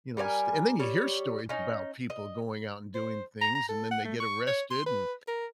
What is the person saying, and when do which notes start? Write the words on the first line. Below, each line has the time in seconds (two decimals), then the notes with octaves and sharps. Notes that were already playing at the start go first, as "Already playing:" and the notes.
you know, st" and then you hear stories about people going out and doing things, and then they get arrested and,
0.17 G3 A#4 D5 G#5
0.79 G3 C#5
1.49 C#4 D#4
2.10 D#5
2.95 C5
3.41 A#5
3.55 A#5
3.68 A4
3.91 F#5
4.05 A3
4.20 C#6
4.47 C#5
4.71 C6
4.86 B4
5.28 A#4